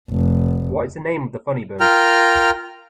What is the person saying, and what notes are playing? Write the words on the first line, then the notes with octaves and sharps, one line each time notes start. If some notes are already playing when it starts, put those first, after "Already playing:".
What is the name of the funny bone?
F1
F4 A#4 G5 A#5 F6